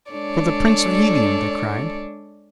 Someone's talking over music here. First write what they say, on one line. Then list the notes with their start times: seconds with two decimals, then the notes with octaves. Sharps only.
"For the Prince of Helium!" they cried.
0.11 G#3 D4 A4 C#5 D5